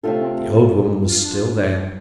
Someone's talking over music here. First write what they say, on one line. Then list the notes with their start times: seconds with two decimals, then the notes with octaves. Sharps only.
The old woman was still there.
0.03 C3 A3 D4 F4 A4
0.21 C4
0.38 C4
1.07 F4
1.22 D4
1.32 F4
1.57 D4
1.70 F3
1.75 G3